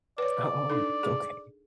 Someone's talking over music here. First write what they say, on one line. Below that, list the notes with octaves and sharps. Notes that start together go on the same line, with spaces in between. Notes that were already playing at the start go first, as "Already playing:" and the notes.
Oh, okay.
B4 C#5 D5
D4 D#4 A4
G#4